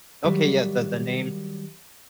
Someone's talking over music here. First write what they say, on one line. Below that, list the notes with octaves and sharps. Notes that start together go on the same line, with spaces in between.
Okay, yeah, the the name
D#3 F#3 G3 E5